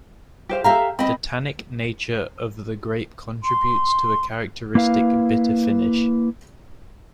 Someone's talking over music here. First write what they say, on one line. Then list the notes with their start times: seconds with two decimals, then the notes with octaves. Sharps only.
The tannic nature of the grape contributes to a characteristic bitter finish.
0.49 G4 C5 F5
0.64 G4 A4 E5 F5 A#5
0.99 C4 D#5 B5
3.44 C6
4.75 A#3 E4 B4 F5